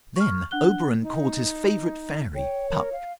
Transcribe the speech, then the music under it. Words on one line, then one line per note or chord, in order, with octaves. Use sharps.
Then Oberon called his favorite fairy, Puck.
C#6 F6
D4 F#5 F#6 G7
D#4
C#5 G5
A#4
F5